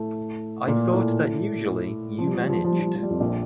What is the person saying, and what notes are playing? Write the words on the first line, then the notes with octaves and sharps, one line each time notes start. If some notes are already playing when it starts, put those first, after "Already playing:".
I thought that usually, you managed.
Already playing: A2 A3
A#2 A#3
A2 A3
F3
G3
F3
G3
F3
G3
F3
G3
F3
G3
F3
G3
F2 F3
A#1 A#2